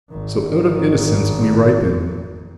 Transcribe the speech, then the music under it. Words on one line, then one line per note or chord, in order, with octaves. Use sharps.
So out of innocence we ripen.
G#1 D#3